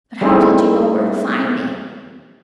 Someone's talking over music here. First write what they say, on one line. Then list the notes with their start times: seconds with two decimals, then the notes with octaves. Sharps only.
"But how did you know where to find me?"
0.21 G3 A3 C#4 D#4 E4 G#4